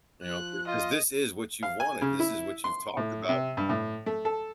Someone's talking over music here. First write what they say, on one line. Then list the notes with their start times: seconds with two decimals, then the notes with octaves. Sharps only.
"you know, because this is what you've wanted, this is what you've talked about
0.23 F3 F#6
0.67 F4 D#5
1.63 F5
1.80 G#5
2.01 C#3
2.20 E4
2.64 C6
2.97 A2
3.29 C3
3.57 G2
3.69 A2
4.06 A3
4.25 A4